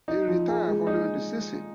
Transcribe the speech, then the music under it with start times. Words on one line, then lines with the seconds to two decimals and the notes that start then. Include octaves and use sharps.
He retired following the season.
0.08 D#4
0.28 F3
0.48 G#4
0.67 G#3
0.87 D#4